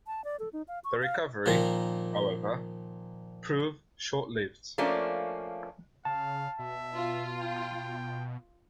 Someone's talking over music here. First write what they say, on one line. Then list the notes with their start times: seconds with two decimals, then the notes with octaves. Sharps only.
The recovery, however, proved short-lived.
0.07 A5
0.24 D5
0.40 A4
0.53 D#4
0.68 F5
0.84 C#6
1.03 F5
1.46 A#2 D#3 F3 A#4
4.78 F3 A3 A#3 C#4 D4
6.05 C#3 F5 A5
6.59 B2 E5
6.94 F4
7.41 G5